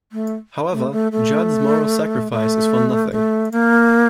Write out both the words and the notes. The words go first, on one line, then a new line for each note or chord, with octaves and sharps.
However, Judd's moral sacrifice is for nothing.
A3
A3
A3
A3
A3
A3
A#3